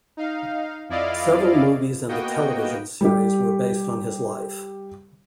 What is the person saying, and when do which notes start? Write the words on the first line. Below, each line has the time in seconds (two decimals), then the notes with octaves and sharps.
Several movies and a television series were based on his life.
0.17 D#4 F5
0.89 F2 E4 D5 D#5 F5
2.09 A#3 B3 F#4 D#5 G5
3.01 G3 G4